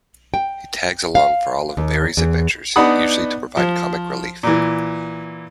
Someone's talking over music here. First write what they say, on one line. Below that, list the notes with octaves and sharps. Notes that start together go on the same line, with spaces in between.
He tags along for all of Barry's adventures, usually to provide comic relief.
G5
F5
D#2
E2
B3 D4 D#4 F#5 B5 D#6
F3
A#2 E3